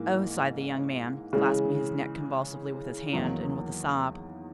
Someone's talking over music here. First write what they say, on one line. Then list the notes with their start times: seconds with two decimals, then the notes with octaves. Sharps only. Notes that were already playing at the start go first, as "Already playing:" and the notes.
"Oh!" sighed the young man, clasping his neck convulsively with his hand, and with a sob.
Already playing: G#2 E3 A#3
1.33 C#3 E3 G#3
3.13 E2 D#3 F#3 A#3 D#4